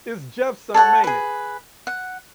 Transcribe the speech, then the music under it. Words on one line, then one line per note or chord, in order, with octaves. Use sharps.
It's Jeff summin', ain't it?
A4 C#5 F#5 A5
G#4 B4
F#5